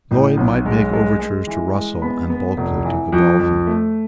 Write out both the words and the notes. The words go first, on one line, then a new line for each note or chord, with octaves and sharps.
Lloyd might make overtures to Russell, and Bulkeley to Godolphin.
A1
B1
G#3
G#3
G#3
E3
G#3
B3 B5
B3
F1
E3
F2
F2
A3